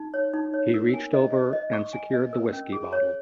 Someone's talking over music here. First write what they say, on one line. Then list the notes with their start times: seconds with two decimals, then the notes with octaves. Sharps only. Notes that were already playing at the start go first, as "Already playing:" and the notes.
He reached over and secured the whiskey bottle.
Already playing: D#4
0.14 C#5
0.34 D#4
0.54 C#5
0.74 A#4
0.94 G#5
1.13 D#5
1.33 D#5
1.53 D#5
1.73 C#6
1.93 G#5
2.13 D#5
2.33 A#4
2.53 C#4
2.73 G#4
2.93 C#5